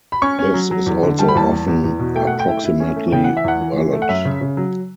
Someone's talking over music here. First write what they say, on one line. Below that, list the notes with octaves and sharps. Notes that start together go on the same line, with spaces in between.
This is also often approximately valid.
B5
C#4 C#6
C#4
F#3
F#3
E2
D3
G3 A5
B5
E2 A5
E2
E2
E2
B2
A3 G5
F#5
A3
G5
E4
E4
C#4
A3
C#3 G5
E3 F#5
E5
E2 F#5
E3
E3
A3
F#5
F#2 E5
C#3
C#3
F#3